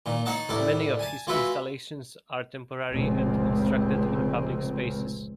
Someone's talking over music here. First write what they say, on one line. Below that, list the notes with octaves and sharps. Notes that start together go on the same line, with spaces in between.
Many of his installations are temporary and constructed in public spaces.
A#2 D#3
D#4 C#5 D#5 F#5 A5
C2 A2 E4 D5
G#5 A5
G#3 F4 F#4 B4 E5
F1 C#2 A#2 C4